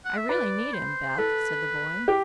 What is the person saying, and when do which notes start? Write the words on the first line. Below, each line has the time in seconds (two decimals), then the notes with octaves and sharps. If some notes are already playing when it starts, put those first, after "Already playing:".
"I really need him, Beth," said the boy.
0.05 F#5
0.18 E5
0.29 B4 D5
0.74 C5
1.18 A4 B4
2.08 G4